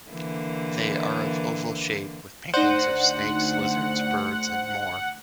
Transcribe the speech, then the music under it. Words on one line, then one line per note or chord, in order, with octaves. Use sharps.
They are of oval shape with paintings of snakes, lizards, birds and more.
D3 E3 A#3
D2 D#4 C5 D5 F#5